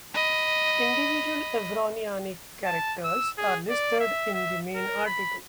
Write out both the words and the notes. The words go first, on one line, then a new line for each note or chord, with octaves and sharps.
Individual Evroniani characters are listed in the main article.
D#5 B5
A5
E6
G#4
D5
E5
E5
A#4
B5